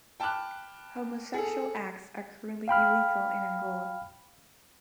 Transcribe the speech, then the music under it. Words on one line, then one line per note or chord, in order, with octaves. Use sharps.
Homosexual acts are currently illegal in Angola.
G5 A5 B5 D6 F6 F#6
G#4 A4
F5 G5 B5 F6